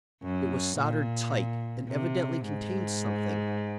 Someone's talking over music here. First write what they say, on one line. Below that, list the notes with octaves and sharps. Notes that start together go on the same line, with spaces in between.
It was soldered tight and evidently contained something.
F#2
A#2
C3
G#2